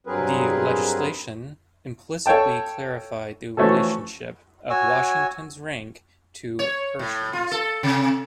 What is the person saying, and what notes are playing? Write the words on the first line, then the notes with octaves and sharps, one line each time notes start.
The legislation implicitly clarified the relationship of Washington's rank to Pershing's.
G2 F#3 C4 G#4 A#4 B4
A4 C#5 F5 G5 A5
E3 F3 A3 C#4 F#4 A4
F#4 C#5 G#5 E6
C#5
A2
F4
A4
C3